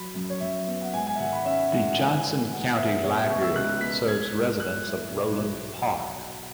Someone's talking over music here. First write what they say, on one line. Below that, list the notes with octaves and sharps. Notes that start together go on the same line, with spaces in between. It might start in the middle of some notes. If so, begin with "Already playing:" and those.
The Johnson County Library serves residents of Roeland Park.
Already playing: F#3 B5
F#2
C#5
F#2 E5
B3
F#5
G#2 G#5
G#5
E5
G#1 F#5
B5
C#4 E5
G#3 F#5
E3 G#5
G#2
E4 F#5
B3 E5
B2 C#5
E5
C#2 C#6
E6
C#2 F#6
B3 B6
G#3 G#6
G#2
G#2 F#6
E4
B2
B1